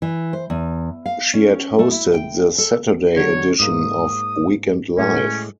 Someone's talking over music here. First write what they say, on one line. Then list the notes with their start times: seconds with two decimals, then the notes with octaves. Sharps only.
She had hosted the Saturday edition of "Weekend Live".
0.02 E3
0.33 C5
0.50 E2
1.06 F5
1.34 C#4
1.79 A3
1.91 E4
2.14 G5
2.58 A4
3.16 D3 F#3 C#5
3.60 G#2 A#3 D#6
4.98 A2 G#3 C#4